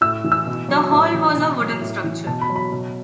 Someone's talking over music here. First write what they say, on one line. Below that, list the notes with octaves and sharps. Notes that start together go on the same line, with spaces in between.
The hall was a wooden structure.
A2 E6
E3
E6
B2
F#3
A2
E3
B2
F#3
A2
E3
B2 A5
B5
F#3
B5
B2